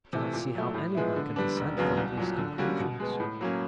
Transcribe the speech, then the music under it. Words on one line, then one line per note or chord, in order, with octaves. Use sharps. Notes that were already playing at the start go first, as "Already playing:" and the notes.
'I cannot see how anyone can dissent from these conclusions.'
C3 E3 A3
A#2
F#3 A3
A2
F3 G#3 B3 E4
D3
G3 B3 D4
E1
D#2 C#3 F#3 B3
C2
A#2 F#3
D3
G3 A#3 C#4 F#4
B2
G#3 B3
A2
F#3 A#3 C#4